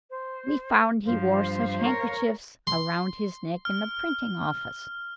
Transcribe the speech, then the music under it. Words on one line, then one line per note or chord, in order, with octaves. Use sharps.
We found he wore such handkerchiefs around his neck in the printing office.
C5
G2 F3 C5 F5
A#4 C#5
C6
F6